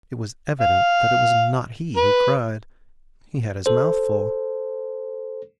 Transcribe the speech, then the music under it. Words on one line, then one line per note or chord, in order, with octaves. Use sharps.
It was evident that it was not he who cried. He had his mouth full.
F5
B4
A4 C5